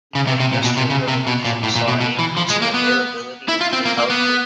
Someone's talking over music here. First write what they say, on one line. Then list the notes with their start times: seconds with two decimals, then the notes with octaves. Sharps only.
The Industrial Revolution saw an increase in the availability of take-out food.
0.15 C#3
0.27 C3
0.40 C3
0.53 A#2
0.64 B2
0.77 C3
0.90 C#3
1.08 C3
1.27 B2
1.45 A#2
1.63 A2
1.76 A#2
1.88 B2
2.01 B2
2.19 E3
2.37 F3
2.50 G#3
2.62 A#3
2.74 B3
3.48 E4
3.61 F4
3.73 C4
3.85 A#3
3.98 A#3
4.10 B3